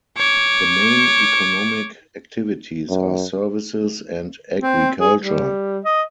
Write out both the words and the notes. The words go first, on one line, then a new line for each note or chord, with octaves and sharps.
The main economic activities are services, and agriculture.
C#5 D6
F#2
C4
G#4
G3
D#5